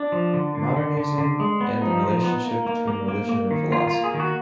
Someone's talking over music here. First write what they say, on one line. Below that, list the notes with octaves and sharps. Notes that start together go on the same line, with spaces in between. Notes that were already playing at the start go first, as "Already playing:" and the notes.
Modernism and the relationship between religion and philosophy.
Already playing: D4
F3
D3
D3
D3
D3
D3
G#3
B3
F3 D#4
F3
B3
A#3
A#3
A#3
A#3
A#3
D#3
A#3 F4
F4
A#3
G#4
D#3
F#4